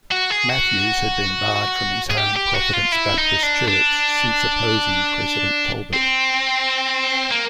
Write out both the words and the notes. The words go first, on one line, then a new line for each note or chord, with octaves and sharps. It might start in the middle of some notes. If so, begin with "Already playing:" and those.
Matthews had been barred from his home Providence Baptist Church since opposing President Tolbert.
F#4
G#4
F#4
G#4
G4
G4
F#4
F4
E4
D#4
D4
D4
C4
A#3